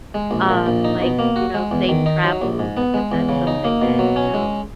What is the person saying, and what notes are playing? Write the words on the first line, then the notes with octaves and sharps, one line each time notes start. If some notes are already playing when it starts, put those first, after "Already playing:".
Um, like, you know, safe travels, because that's something that, you know,
G#3
A#1
A#2
A#1
D#4
B2
A#3
F#4
G#3
E2
D#3
D#4
F#3
A#1
G#2
B3
G#3
E2
C#3
D#4
A#3
B2
F#3
C#4
G#3